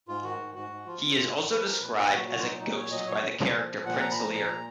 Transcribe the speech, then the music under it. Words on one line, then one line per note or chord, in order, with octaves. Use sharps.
He is also described as a ghost by the character Prince Lir.
G#2 F4
D#3 F#4
G#2
G#2 F#4
G#2
F3 F4
F3
G#2 F4
G#2
F3 B4
F3 A#4
A#2 B4
A#2 B4
F#3 F#4
F#3 F#4
F4
A#2 D#4
A#2 D#4
F#3 C#5
F#3 D#5
A#2 C#5
A#2
F3
F3
A#2
A#2 F#5
F3 A#5
B5
F3 A#5
A#2 A#5
A#2